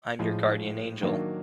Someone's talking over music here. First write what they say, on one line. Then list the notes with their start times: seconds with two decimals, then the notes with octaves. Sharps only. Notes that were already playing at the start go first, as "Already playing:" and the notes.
I'm your guardian angel.
0.19 A2 F3 G#3
1.02 D#3 F#3 A#3 D4